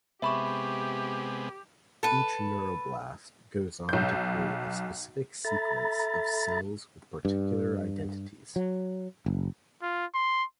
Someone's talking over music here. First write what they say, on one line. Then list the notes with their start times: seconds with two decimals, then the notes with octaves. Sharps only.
Each neuroblast goes on to create a specific sequence of cells with particular identities.
0.22 C3 G#3 B3 G4 E5 B5 C#6
2.03 A4 B4
3.89 B1 G6
5.45 A4 E5 A#5 B5 A6
7.25 G2
8.56 F#3
9.26 F#1
9.83 F4
10.14 C6